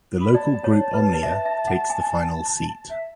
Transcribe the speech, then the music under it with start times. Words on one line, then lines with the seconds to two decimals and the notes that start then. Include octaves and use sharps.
The local group Omnia takes the final seat.
0.21 B5
0.35 D5 A5
0.64 C#5
0.94 B4
1.23 E5
1.45 E5
1.67 F#5
1.90 G#5
2.90 E5